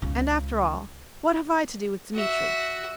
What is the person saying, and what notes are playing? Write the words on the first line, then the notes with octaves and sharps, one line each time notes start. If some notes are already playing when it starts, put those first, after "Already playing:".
And after all, what have I to do with Dmitri?
C#2 C#3
F#4 E5